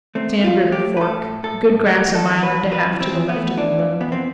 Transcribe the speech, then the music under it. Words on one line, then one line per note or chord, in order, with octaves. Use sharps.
Sand River Fork.--Good grass a mile and a half to the left of the road.
A3 C4
A3
F4
A3
G4
A3
B4
A3 A4
A2
A2 A4
A2
A3 G4
E3
A4
F2
B4
F2
F2 B4
E3
C4
E3
B3
A3
E3 D4
F2
E3 B3
C4